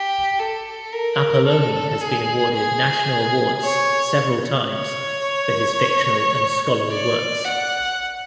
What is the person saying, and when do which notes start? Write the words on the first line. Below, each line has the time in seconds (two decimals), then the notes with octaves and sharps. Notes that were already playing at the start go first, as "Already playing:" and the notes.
Apolloni has been awarded national awards several times for his fictional and scholarly works.
Already playing: G4
0.39 A4
0.93 A#4
1.47 A4
2.01 G#4
2.56 G#4
3.64 C#5
4.73 C#5
6.90 D5
7.45 F#5